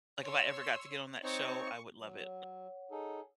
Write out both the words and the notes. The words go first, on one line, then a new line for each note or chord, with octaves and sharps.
like, if I ever got to get on that show, I would love it.
C#5 C6 E6
C4 D#4 C#5 C#6
F#3
C#5 F#5
D#4 G#4 A4